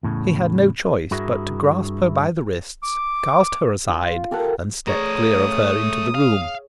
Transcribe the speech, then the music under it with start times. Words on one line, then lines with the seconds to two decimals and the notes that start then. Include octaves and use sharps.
He had no choice but to grasp her by the wrists, cast her aside, and step clear of her into the room.
0.03 E2 A2 C#3
1.11 G2 E4 F#4 G#4 A#4 E5
2.83 D6
3.88 F4
4.31 G4 A4 A#4 F#5
4.88 A3 G#4 C#5 A#5 D#6
6.15 F5